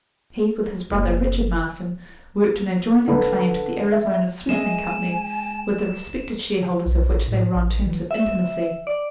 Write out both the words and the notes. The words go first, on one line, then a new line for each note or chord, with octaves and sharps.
He, with his brother, Richard Marston, worked an adjoining claim to the Arizona Sluicing Company, with the respected shareholders of which they were on terms of intimacy.
F#1
D3 B4 B5
E5
G#3 D#5 E5 G#5 E7
B1
A1
A2
A1
E3
E5
D5